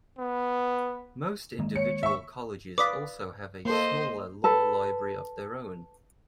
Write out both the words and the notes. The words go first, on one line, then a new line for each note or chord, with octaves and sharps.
Most individual colleges also have a smaller law library of their own.
B3
D#3 G#3 A#3
C#5 C#7
E5 C#6
B4 D5 F5 D6 D#6 B6
A#3 A4 C5 D#5
A4 B4